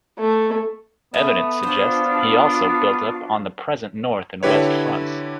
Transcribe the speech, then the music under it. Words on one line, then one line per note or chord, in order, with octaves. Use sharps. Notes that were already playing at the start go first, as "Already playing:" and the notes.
Evidence suggests he also built up on the present north and west fronts.
A3
A3 B3
D4 F4 F#4 C5
D3 E4 G4 B4 C#5